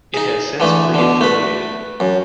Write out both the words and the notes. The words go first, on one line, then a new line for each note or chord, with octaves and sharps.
It has since re-affiliated.
D#4 G#4
D3 E3 A3
B2 D3
A3 B4
F#2